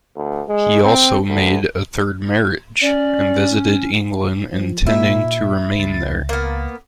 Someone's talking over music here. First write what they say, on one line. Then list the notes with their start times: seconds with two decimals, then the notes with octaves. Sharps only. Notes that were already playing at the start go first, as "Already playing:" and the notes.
He also made a third marriage, and visited England intending to remain there.
0.16 D2
0.48 G#3
0.84 C4
1.28 D2
2.82 C#4 D5
4.51 F3
4.87 A#2 D#4 E4 B6
5.79 C#2 A6
6.29 A#3 B3